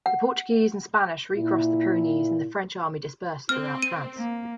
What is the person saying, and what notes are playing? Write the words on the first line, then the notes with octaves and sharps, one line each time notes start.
The Portuguese and Spanish recrossed the Pyrenees and the French army dispersed throughout France.
F#5
A#2 E4
C4 F6
D#7
A#3